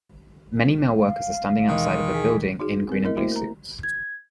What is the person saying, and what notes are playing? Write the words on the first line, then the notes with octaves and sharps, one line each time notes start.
Many male workers are standing outside of a building in green and blue suits.
F5
D#2 B2 D#3 E3 G#3
G#4 B6
D#4 F#4 G#4
C4 A#4
A3 E4 A#4 D#5
A3 A#3 E4 F#4 C5
A#4 A#5
G#6